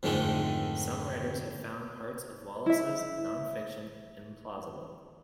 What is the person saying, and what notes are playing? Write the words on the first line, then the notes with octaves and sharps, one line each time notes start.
Some writers have found parts of Wallace's nonfiction implausible.
F2 G#2 D3 D#3 G#3 A3
E4 E5